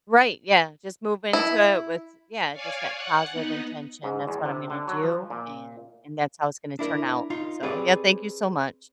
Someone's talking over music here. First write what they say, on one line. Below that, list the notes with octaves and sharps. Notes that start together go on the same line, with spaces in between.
Right, yeah, just move into it with yeah, just that positive intention. That's what I'm gonna do, and and that's how it's gonna turn out, so yeah, thank you so much.
E4
C#5 D5 F5 G#5
F#5 F#6
B3 D#4
G#2
E2
C3
D3
F#3
F3
A#2
D4 E4 A#4
D#4 F4
C4 G4 G#4 B4 C#5 D5